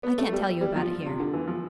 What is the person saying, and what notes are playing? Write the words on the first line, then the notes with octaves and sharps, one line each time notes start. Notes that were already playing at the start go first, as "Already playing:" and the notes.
I can't tell you about it here.'
B3
A3
G3
G3
F3
C3
D3
E3
F3